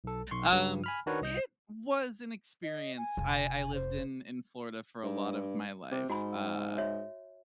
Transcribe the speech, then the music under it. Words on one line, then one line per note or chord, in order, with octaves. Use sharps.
Um, it was an experience, I I lived in in Florida for a lot of my life, uh,
B1 A4
B1 C6 C#6
G2 C#3
G#5 B5 F6
D#3 D4 F#4 A#4 B4 C#5
C2 D#5 G6
D#5
G#5
F1
C5
G2
C3
G#2 F#4 G#5 B5
F#4 C#5 E5